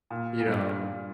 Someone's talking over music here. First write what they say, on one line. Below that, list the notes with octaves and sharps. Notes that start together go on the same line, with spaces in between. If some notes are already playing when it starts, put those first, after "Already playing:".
you know
A#2
A#2
G2
G2